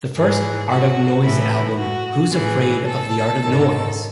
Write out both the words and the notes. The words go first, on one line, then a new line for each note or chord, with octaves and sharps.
The first Art of Noise album, Who's Afraid of the Art of Noise?
G#2 E3 G#4
F#4
A2 E3 E4
F#4
A2 E3 G#4
A4
G#2 D#3